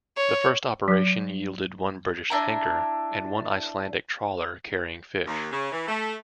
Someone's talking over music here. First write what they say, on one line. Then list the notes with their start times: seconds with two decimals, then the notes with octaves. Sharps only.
This first operation yielded one British tanker and one Icelandic trawler carrying fish.
0.17 C#5
0.88 F#3
2.30 D4 E4 A#5
5.27 D#2
5.51 C#3
5.72 E3
5.87 A3